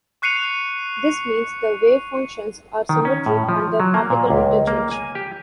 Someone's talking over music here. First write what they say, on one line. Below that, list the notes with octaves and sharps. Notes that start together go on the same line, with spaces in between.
This means the wave functions are symmetric under particle interchange.
C#6 F#6 C7 C#7 D#7 F7
D#3
C#4
A2
F3
F#3
A#3
A#2
C#2
A#3
G#5
G4